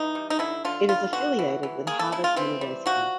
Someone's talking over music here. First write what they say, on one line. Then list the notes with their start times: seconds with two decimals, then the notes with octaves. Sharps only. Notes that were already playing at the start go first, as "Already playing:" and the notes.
It is affiliated with Harvard University.
Already playing: E3 D#4
0.15 G3
0.30 D#4
0.39 D3 E4
0.65 D3 F4
0.89 G3 F4
1.13 B2 F#4
1.39 E3
1.63 E3
1.87 A#3 G#4
1.99 A4
2.12 C#3 E4
2.24 F4
2.36 E3 C4
2.61 G3
2.86 F3 F#4